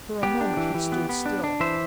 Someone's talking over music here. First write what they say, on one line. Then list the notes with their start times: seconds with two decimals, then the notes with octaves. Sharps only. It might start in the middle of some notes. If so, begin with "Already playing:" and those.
For a moment he stood still.
0.23 B3 G4
0.41 D4
0.57 E3
0.74 E3
0.92 B3
1.09 B3
1.26 D4
1.44 D4
1.60 E3 C5 E5